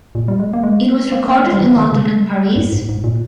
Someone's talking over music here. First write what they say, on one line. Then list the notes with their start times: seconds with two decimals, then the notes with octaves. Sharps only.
It was recorded in London and Paris.
0.15 A#2
0.28 G3
0.40 G#3
0.53 A#3
0.63 G#3
1.12 A#3
1.28 A#3
1.44 G#3
1.52 G3
1.61 E3
1.76 D#3
1.92 C#3
2.56 G2
2.73 G#2
2.89 G#2
3.04 A#2